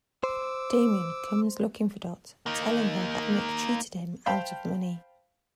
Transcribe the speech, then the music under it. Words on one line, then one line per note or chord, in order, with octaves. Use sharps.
Damion comes looking for Dot, telling her that Nick cheated him out of money.
C5 D6 E6
A#3 D#4
C5 F5 G5 A5 B5